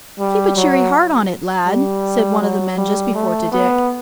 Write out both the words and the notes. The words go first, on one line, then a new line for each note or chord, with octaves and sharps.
"Keep a cheery heart on it, lad," said one of the men just before to Dick.
G3
F#3
G3
F#3
G3
A3
B3